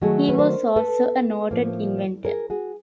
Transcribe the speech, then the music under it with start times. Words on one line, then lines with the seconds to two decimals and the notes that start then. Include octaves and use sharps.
He was also a noted inventor.
0.01 D#3 F#3 A3 F#4 G#4
0.29 B4
0.38 A#4 C5
0.76 A4 B4
1.51 A2 F3 A#3
2.25 G#4 A#4
2.50 F#4 G#4